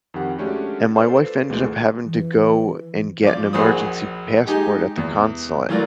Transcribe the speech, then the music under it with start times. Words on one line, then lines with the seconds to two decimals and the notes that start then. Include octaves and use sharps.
and my wife ended up having to go and get an emergency passport at the consulate.
0.14 F2 D#3 G4 F#5
0.38 G#3 A3 C#4 D4 F#4 G4
0.95 F4 A4 B4 C5 D5 F5
1.49 D2 A#2 E3 G#3 A3
2.05 E3
3.23 F3 D5 D6
3.53 A#1 F#4 G#4 C5 B5 D#6
4.47 G#3 D#4 G4 G#5
4.97 E2
5.69 E3 F#3 A3 F4 A#4 D5